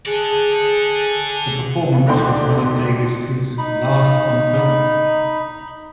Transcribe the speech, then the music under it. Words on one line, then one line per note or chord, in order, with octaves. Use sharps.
The performance was one of Davis's last on film.
G#4 A4 D5 A5 F#6
D#2 G#2 D3 D5 G5 C6
D#4 B5